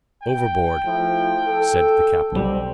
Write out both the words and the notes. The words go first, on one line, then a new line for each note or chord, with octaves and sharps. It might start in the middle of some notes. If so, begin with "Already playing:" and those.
"Overboard!" said the captain.
G5
F3 A3 E4
A4
B1 B2 G3 C4